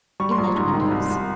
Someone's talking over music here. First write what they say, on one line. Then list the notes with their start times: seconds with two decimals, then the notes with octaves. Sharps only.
Inlet windows.
0.20 G3 C#6
0.31 C6
0.38 A#1
0.44 A#5
0.56 G#2 A#5
0.68 A#5
0.74 D#3
0.81 C6
0.92 C2
1.10 C2